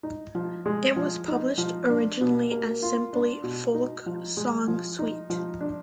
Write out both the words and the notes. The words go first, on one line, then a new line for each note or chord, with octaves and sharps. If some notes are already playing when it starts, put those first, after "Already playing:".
It was published originally as simply Folk Song Suite.
D#4
F3
G#3
F3
D#4
F3
D4
B2
A#3
F4
D4
B2
D#4
F3
G#3
F3
D#4
F3
D4